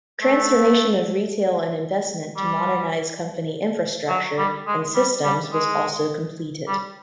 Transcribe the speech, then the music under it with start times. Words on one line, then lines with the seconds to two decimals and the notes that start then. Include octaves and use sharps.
Transformation of retail and investment to modernise company infrastructure and systems was also completed.
0.22 A3
2.37 G3
4.09 F#3
4.38 G3
4.67 G#3
4.95 G3
5.24 G3
5.52 G#3
6.67 G3